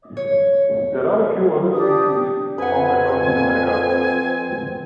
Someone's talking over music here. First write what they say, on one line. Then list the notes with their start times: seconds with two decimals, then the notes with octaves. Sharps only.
There are a few other species found across the Americas.
0.17 C#5
1.72 D4 G4 D#6
2.58 F2 C4 B4 F#5 G#5